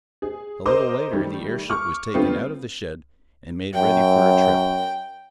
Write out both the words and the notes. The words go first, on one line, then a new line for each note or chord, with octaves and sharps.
A little later the airship was taken out of the shed, and made ready for a trip.
G#4
A#4 C5 D#5 C6 D6
D#3 G3 A3
C#6 D6 F6
D3 G3 A3 B3 C4 F4
F#2 G5